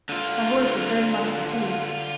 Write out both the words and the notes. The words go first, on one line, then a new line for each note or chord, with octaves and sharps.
"That horse is very much fatigued."
D3 F4